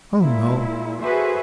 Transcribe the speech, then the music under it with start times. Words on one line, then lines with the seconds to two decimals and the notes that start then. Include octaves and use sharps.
"Oh no."
0.19 A#2 G#3 E4
1.01 F#4 G#4 A4 B4 C5 E5